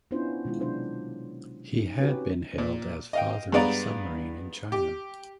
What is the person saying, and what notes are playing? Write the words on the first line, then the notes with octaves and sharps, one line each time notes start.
He had been hailed as "father of submarine in China".
B3 C#4 D4 E4 F4 C5
B2 D#3 G#3 E4 F4
C3 F#3 D4 C5
C#4 D#4
C4 C#4 F#4 G4 B4
A#2
D#5 F5 G5
G2 G#3 B3 D5 F5 A#5
G4